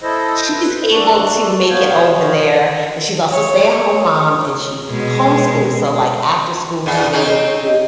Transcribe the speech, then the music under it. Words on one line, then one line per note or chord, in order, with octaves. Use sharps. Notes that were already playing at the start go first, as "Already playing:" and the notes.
She's able to make it over there, but she's also a stay-at-home mom and she s homeschools. So, like, after school, she's able to,
E4 A4 C5 D#5
B4
D4 F#4 A4
B2 B3 C5 C#5 F5
C#5
B2 G#3 G#4
E2 B3
C4 C#4 D#4